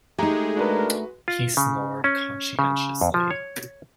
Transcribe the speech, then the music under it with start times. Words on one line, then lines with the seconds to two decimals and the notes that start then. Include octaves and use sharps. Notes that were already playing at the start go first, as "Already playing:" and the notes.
He snored conscientiously.
0.18 G#3 A3 D#4 G4 A#5
0.56 B2 D4 F#4 A#4 B4
1.28 F4
1.57 C#3
2.04 C#4
2.59 C#3
3.01 F2
3.14 F3
3.30 C#5